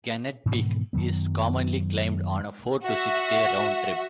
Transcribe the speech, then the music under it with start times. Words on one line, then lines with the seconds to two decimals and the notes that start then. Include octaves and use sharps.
Gannett Peak is commonly climbed on a four- to six-day round-trip.
0.46 G#2 B2 D#3 E3
0.93 F#2 D#3 F#3 B3
2.84 F#4 E5